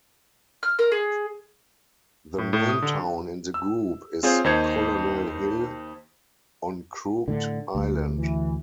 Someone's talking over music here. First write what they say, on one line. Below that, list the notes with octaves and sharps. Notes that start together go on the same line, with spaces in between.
The main town in the group is Colonel Hill on Crooked Island.
F6
A#4
G#4
A2
A2
D#6
D3
E6
C4 F4 G#4 C5 C#5
D#2 D#4 C5 G#6 C#7
A2 D3
D2
E3